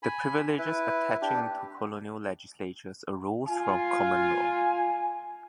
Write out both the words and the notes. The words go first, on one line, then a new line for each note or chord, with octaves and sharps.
The privileges attaching to colonial legislatures arose from common law.
G#5 B5
E4 B4
D4 G4
F4 G#5